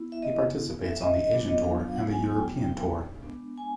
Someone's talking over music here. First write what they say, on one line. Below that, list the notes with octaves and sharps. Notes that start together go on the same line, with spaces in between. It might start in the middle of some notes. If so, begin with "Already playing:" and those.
He participates on the Asian Tour and the European Tour.
Already playing: B3 E4
E5
D#5
E5
E5
D#5
D#5
F#3 B3 D4 F4
D#5
F5
F5
F#5
G#5
G#5
G5
G5
G#3 B3 D4
G#5